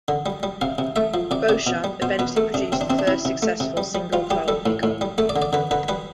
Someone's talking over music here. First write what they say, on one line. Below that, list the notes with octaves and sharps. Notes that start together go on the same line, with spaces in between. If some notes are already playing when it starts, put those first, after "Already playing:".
Beauchamp eventually produced the first successful single coil pickup.
D3
G3
G3
C3 F5
C3
A3 E5
F3
C3 D5
C3 D5
B2
G3
B2 C5
B2 B4
A3 A4
C3 D4
C3 C4
D4
C3 C4
D4
C3 E4
C3
A3
C3
G3
G3
G3 F4
G3 G4
G3 A4
A2
A2
G3
A3 A4
D5
D3
D5
D3 B4
D3 B4
G3 B4